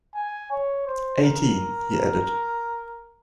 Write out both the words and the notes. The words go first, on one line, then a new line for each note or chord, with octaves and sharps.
Eighteen, he added.
G#5
C#5
C5
A#4